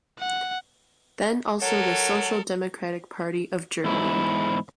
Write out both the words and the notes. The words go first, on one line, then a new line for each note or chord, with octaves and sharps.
Then also the social democratic party of Germany.
F#5
F#3 A4 A#4
E2 G#2 E4